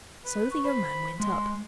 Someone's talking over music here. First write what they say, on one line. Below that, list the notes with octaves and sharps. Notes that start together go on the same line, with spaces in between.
So the young man went up.
B4
C#6
C5 B5
G#3 C6